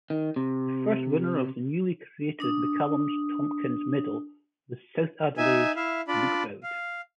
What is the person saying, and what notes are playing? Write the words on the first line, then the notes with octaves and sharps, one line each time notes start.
The first winner of the newly created McCallum-Tomkins Medal was South Adelaide's Luke Bowd.
D#3
C3
D4 D#6
D#4 E5 G#5
E4 E5 F5
D4 F4 D5 B5
F5